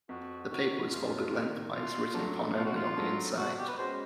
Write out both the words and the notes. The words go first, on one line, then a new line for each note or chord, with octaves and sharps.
The paper was folded lengthwise, written upon only on the inside.
F2 F#4
C3 D#3 F#4
F2 F4
C3 D#3
B2 F4
F#3 A3 D4
B2 F4
F#4
F4
F#3 A3 D4
B2 F#4
G4
B4
G#3 C#4 F#4 C5